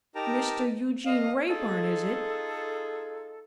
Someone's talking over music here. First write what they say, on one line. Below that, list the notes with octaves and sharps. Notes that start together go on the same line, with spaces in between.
'Mr Eugene Wrayburn, is it?
D#4 G4 A#4 G5 A5 A#5
D3 D#5 F5
D#4 F4 G#4 A4